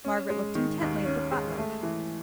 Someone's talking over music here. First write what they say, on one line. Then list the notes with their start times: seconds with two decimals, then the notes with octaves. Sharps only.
Margaret looked intently at the butler.
0.05 C#4
0.30 G#3
0.55 D#3
0.81 D#2
1.06 C#4
1.32 G#3
1.58 A3
1.83 E3